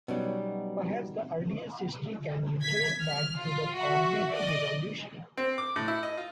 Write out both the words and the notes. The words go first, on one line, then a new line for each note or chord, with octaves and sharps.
Perhaps the earliest history can be traced back to the cognitive revolution.
B2 F#3 G3 B3 C#4 D#4
G#6 B6
F6
F4
F#4 E5
D5 D#5
C4
D6
A2
E4
D#5
F4